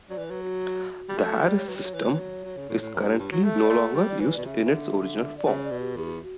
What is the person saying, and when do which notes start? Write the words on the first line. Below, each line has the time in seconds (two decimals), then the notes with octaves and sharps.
The Harris system is currently no longer used in its original form.
0.09 F#3 D5
0.18 E3
0.26 F#3 B4
0.43 F#4
1.09 G3
1.18 A3
1.44 G3 D5
1.55 C#5
1.66 F#3 B4
1.76 G3 C#5
1.84 F#3
1.94 E3
2.13 E3
2.19 F#3
2.44 F#3
2.57 C#3
2.69 A2
2.82 A2
2.94 F#2
3.07 G2
3.20 G2
3.32 F#3
3.40 F#5
3.44 A3 E5
3.61 D5
3.70 A3
3.78 F#5
3.95 G3
4.07 D5
4.20 E3 C#5
4.33 B2 D5
4.45 C#3 E5
4.65 E3
4.70 D3
5.37 D5
5.45 C#3 E5
5.57 C#5
5.63 D5
5.71 B2
5.79 G4
5.96 E2 G4
6.05 F#4
6.14 E4
6.22 F#4